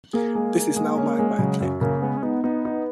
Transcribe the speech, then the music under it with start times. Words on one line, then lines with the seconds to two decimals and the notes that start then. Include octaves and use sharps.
This is now marked by a plaque.
0.13 A#3 G#4
0.35 G#3
0.56 G#4
0.76 G#3
0.97 C#4
1.19 G#3
1.39 C#3 F#3
1.60 F#2 F#3
1.81 C#3 A#3
2.02 G#3 B3
2.17 C#4
2.23 B3 D#4
2.44 B3 D#4
2.65 D#4